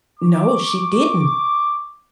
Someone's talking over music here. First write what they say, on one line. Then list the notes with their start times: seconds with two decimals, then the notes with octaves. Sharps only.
No, she didn't.
0.19 C#6 D6